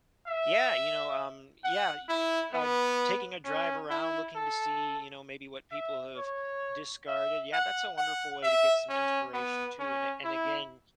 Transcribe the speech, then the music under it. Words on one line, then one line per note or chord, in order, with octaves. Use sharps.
Yeah, you know, um, yeah, you could, uh, taking a drive around looking to see, you know, maybe what people have discarded. Yeah, that's a wonderful way to get some inspiration too, and a and again,
E5
F#5
E4
B3
C#4
E4
A4
E5
C#5
E5
F#5
F#5
E5
C#4
B3
C#4
E4